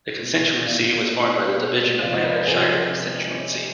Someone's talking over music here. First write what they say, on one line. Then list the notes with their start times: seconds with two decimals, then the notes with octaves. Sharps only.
The constituency was formed by the division of Lanarkshire constituency.
0.21 B2
0.66 B2 D5 F5
1.11 B2
1.56 B2
2.02 C3 F3 D5 F5
2.13 C5 D#5
2.24 B4 D5
2.36 B4 D5
2.47 C3 F3 G#4 C5